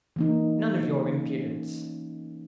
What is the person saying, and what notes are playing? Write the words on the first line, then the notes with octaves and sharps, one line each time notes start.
"None of your impudence!"
E3 A#3 D#4
C#4